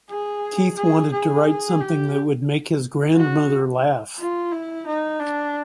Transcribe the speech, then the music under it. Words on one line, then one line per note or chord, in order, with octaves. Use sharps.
Keith wanted to write something that would make his grandmother laugh.
G#4
G#4
G#4
G4
F#4
F4
E4
D#4
D4